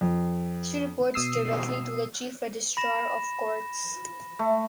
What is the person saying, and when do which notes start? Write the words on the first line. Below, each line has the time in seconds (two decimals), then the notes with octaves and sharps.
She reports directly to the "Chief Registrar of Courts".
0.01 F2
1.14 B2 D#6 E6 C7
2.77 B5 A#6 E7
4.39 A3